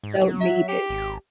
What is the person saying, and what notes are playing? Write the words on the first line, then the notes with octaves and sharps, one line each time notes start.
Don't need it.
G#2
F#3
E5
G4
G#1